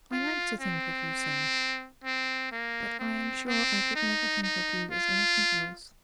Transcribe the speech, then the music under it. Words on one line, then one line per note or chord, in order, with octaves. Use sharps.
I like to think of you so; but I am sure I could never think of you as anything else.
F4
C4
C4
A#3
C4
C4
D#4
D#4
F4